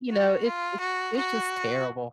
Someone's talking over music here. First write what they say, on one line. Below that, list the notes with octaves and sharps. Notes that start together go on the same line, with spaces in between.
You know, it it's it's just terrible.
F#4
F4
F#4
F#4